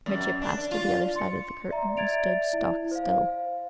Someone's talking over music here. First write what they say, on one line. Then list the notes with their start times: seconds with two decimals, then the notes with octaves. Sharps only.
Mitya passed to the other side of the curtain and stood stock still.
0.06 F#2
0.42 D4
0.71 F4
1.16 C6 C#7
1.69 D5 E5 A#5
1.97 D5 E5 G#6 A6 D7 F7
2.53 E4
2.91 C5 F5